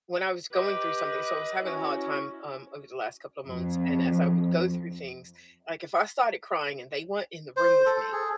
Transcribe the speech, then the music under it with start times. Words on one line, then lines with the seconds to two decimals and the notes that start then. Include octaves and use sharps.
when I was going through something so, I was having a hard time, um, over the last couple of months, and as I would go through things, like, if I started crying and they weren't in the room with me,
0.53 G4 B4 D#5
1.65 C#4 E4 F#4
3.47 F2
7.57 C5
7.86 A4
8.12 G#4